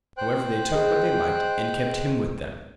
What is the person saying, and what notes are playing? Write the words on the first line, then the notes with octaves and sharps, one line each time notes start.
However they took what they liked, and kept him with them.
C5 G5 F#6
G#4 D#5